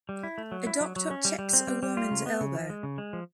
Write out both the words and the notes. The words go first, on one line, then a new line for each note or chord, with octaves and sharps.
A doctor checks a woman 's elbow.
G3
E4
A3
F#3
E4
F#3
F#3
C#4
G3
G3
C4
G3
G3
F4
C#3
B3
C#3
F3
G#3
C#3
G#3
F3